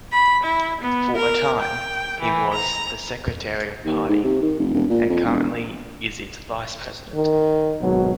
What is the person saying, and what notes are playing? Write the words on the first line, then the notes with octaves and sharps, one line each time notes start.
For a time he was the secretary of party, and currently is its vice-president.
B5
E4
B3
A#4
G5
E3
A#5
D#2
G#2
C3
D#3
F1
E1
A#2
F2
E1
D#3
G#1 B2 F#3